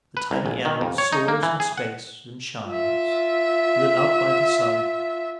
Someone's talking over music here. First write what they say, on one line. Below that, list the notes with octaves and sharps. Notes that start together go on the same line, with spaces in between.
The tiny animal soars in space and shines, lit up by the sun.
B4
C2
A#1
D#3
F2
C#5
D#4
A#3
E3
G#4
F#5
F4 E5